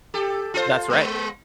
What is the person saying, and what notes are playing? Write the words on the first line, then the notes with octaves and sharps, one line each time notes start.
That's right.
G4 A4
F4 A4 C5
G#3 B3